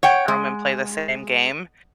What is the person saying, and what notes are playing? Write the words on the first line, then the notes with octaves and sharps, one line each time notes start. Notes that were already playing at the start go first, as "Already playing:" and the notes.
in a room and play the same game,
C#5 F#5 G5
G#3